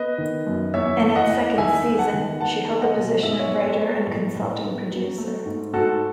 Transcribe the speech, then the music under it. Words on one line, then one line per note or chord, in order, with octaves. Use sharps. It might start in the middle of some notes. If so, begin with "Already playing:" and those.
In its second season she held the position of writer and consulting producer.
Already playing: B3 B4 D#5
D#3
F#2
E2 C#5 E5
E3
D#5 F#5
E2
D#3 E5 G#5
B3
F#5 A5
D#3
B3 F#5 A5
G#3
D#5 F#5
B2
G#2 E5
D#5
C#5 E5
B3
A4 C#5
B3
A2
A2
B3
F#3
A3
G#2
G#2 F#4 A4